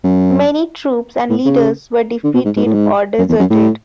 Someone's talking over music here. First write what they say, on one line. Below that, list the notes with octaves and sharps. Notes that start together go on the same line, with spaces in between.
Many troops and leaders were defeated or deserted.
F#2
A2
C#3
D3
B2
G#2
G#2
A2
G#2
F#2
E2
F#2
A2